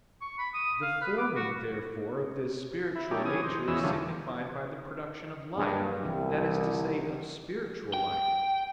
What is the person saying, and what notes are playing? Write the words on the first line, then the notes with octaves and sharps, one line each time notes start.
The forming, therefore, of this spiritual nature is signified by the production of light, that is to say, of spiritual light.
C#6
B5
D#6
F5
B4
D6
F#4
E4
G3 A3 C#4 D#4 G4
E3 C#4 G#5 D#6
C5 D#5
E2 E3 C#4 G#4 D#5 E6
D3 D#3 F3 G3 A3 C#4
G2 F#3 A#3 G#4
C2 E3 E4 G4
F#4
G5